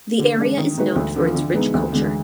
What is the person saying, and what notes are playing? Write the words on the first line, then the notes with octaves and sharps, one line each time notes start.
The area is known for its rich culture.
D3
G#3 D4
D#3
G#3 D#4 F#4 B4
D2
D3 F3
D3
G#3 B3 D#4
D2
D3 G#3